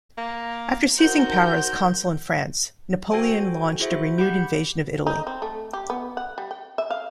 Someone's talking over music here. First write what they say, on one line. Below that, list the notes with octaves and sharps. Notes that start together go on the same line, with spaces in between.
After seizing power as consul in France, Napoleon launched a renewed invasion of Italy.
A#3
D#4 F#4 A#4 C5 G6
F#4 A4 C5 G5 G#5
E4 F#4 G#4 C5 E5
G4 F#5 B5 G6
D#4
C4
A3
G4
B3
F#5
G3
G5
E5
F5